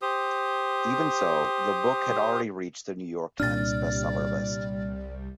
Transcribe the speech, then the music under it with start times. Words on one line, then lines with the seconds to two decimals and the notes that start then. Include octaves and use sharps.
Even so, the book had already reached the "New York Times" bestseller list.
0.02 G4 C5 D#6
3.40 C2 A#2 G3 D4 D5 F6 A6